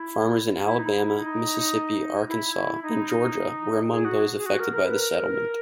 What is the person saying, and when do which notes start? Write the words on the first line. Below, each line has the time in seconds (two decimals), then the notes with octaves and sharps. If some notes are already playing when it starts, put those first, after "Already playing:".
Farmers in Alabama, Mississippi, Arkansas, and Georgia were among those affected by the settlement.
Already playing: E4
0.65 E4
0.79 D#4
0.92 E4
1.06 E4
1.19 D#4
2.28 E4
2.55 E4
2.83 D#4
3.91 G#4
4.05 F#4
4.37 G#4
4.46 F#4
4.59 A#4
4.73 A#4
4.86 B4
5.00 A#4